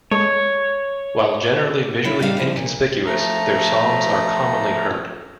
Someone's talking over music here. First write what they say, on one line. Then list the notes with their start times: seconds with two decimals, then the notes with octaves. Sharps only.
While generally visually inconspicuous, their songs are commonly heard.
0.11 G#3 A4 C#5 D#5
2.05 E4 F4 C#5 E5
2.19 A2 G3 D4 D#4 A#4 F5
2.38 D3 F3 A3 E4 F4
2.57 A#2
3.06 F3 A3 A#5